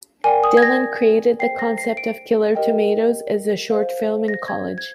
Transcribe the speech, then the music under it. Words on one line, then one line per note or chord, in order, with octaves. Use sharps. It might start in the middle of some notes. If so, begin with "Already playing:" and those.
Dillon created the concept of Killer Tomatoes as a short film in college.
A#4 D5 G5 G#5
D#6
G#6
A#6
G#4 C5 G5 C7
A#6
C7
D7
G4 A#4 D#5 G5
C5 F5
A#6
G#6
G#6